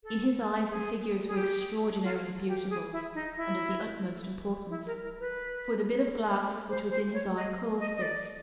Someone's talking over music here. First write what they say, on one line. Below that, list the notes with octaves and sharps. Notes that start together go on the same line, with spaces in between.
In his eyes the figures were extraordinarily beautiful, and of the utmost importance; for the bit of glass which was in his eye caused this.
A4
G#4
G#4
G4
F4
G4
G#4
E4
D#4
E4
E4
A#4
A#4
B4
C5
C5
C#5
D#5
D#5
D#5
D5